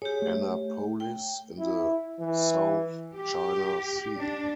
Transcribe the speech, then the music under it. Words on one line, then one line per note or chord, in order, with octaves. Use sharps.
Annapolis in the South China Sea.
G4 G#4 C#5
A3
G5
E4
E3
G4
D4